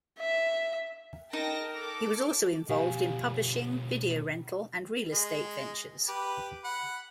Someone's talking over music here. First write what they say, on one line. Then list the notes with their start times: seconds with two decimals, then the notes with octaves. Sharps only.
He was also involved in publishing, video rental, and real estate ventures.
0.19 E5
1.33 D#4 A#4 G5 A5 A#6
1.72 A4 D6
2.69 B2 F3 G4 F5 G#5
5.12 G#3
6.08 G4 B4
6.64 F#5 B5